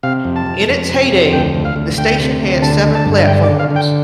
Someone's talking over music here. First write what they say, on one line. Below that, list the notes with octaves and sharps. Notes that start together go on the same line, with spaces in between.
In its heyday, the station had seven platforms.
C3 F5
F2
A5
F2
F2
C3
F2
D2 G5
D2
F5
D2
D2 G5
C3
D2
D3 A5
D3
A5
G2
D3 G5
D5
D3
F5
D3
G5